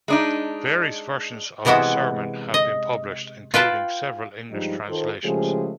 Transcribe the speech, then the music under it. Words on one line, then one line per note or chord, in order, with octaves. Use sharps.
Various versions of the sermon have been published, including several English translations.
G#3 D4 D#4
C3 E3 G#3 B3 E4 F#4
D#5
F4 B4 G5 A5
G2 F3 G3 G#3 D#4
D#3 F4 A4 C5
C#3 F3 G#3 A3 G4 G#4